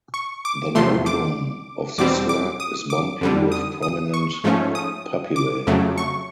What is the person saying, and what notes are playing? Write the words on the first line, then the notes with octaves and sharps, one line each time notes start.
The notum of the slug is bumpy with prominent papillae.
C#6
D6
E2 C3 F3 A3 C6
D6
E2 B2 G3 C4 D6
D6
D#6
D6
F2 D3 G3
D#6
D#6
C#6
G#2 F3 A3 C#4
D#6
D6
F2 C#3 F#3 A3
C#6